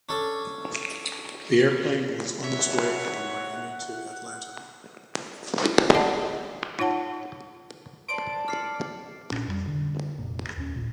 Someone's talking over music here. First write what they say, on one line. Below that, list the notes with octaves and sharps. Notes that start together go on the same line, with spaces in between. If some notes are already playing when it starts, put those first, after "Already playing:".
The airplane was on its way from Miami to Atlanta.
C#4 D4 A4
C#5 E5 F#5
D5 D#5 F#5 A5
D#4 F4 C#5 F#5 A5
C5 D5 A5 D7
D5 F6 C7 C#7
A#1 A#2 C#4 D4
F2 G3
D3
F1 A#2
D#2 C#4
A1 A#2